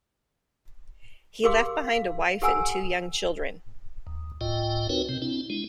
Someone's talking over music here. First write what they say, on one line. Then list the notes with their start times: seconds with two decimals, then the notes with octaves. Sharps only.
He left behind a wife and two young children.
1.44 G4 G#4 A#4 F5 C6 D6
1.87 F5
2.42 G4 A4 F#5 G#5 A#5 E6
4.07 D#2
4.41 C#2 A2 F4 D#5 G5
4.89 C4 D#4 F#4 A#4 B4 C#5
5.09 C3 C4
5.22 C4 D4 E4
5.50 G#3 D4 E4